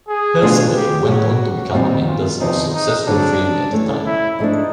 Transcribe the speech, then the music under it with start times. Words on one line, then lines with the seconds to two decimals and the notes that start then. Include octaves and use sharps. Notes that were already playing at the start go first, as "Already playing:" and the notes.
"Hairspray" went on to become Amanda's most successful film at the time.
0.08 G#4
0.42 B2 F#3 A3 D4 F4
0.75 G4
1.08 A2 F#3 A3 F#4
1.74 A#2 G3 C4 D#4
2.07 F4
2.40 E2 C3 F3 D#4
2.73 D#4
3.06 G2 D3 F#3 A3 C4 D4
3.72 E3 A3 C#4
4.05 E4
4.39 G#2 F3 A3 D4 D#4